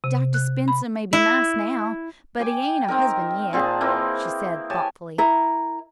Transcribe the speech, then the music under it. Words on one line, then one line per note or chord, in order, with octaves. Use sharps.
"Dr. Spencer may be nice now, but he ain't a husband yet," she said, thoughtfully.
C3
F#6
B5
E4
G5 G#5 D6
D#3 C4 D#4 A#4
A#2 C4 G#4 A5
E3 A#3 C4
G4 C#5 G#5 A5
E4 A#4